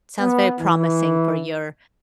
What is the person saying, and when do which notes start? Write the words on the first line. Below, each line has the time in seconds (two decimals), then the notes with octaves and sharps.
sounds very promising for your
0.19 B3
0.60 E3